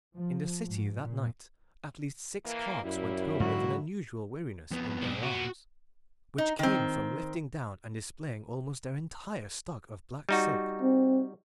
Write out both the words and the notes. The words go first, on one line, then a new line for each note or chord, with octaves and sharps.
In the city that night at least six clerks went home with an unusual weariness in their arms, which came from lifting down and displaying almost their entire stock of black silk.
F3
G#2
A#2
E3 A#3
F#2 G3 A#3 E4
G#2 D3 F#3 F#4
F2 B3
B1
A#2 B3 F#4
D#4
D#3 C4
G3 D#4 F#4
C4